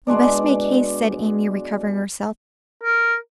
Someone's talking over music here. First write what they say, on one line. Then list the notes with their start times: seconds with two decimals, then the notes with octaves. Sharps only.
'We must make haste,' said Amy, recovering herself.
0.07 B2 G#3 D4 D5
2.83 A#4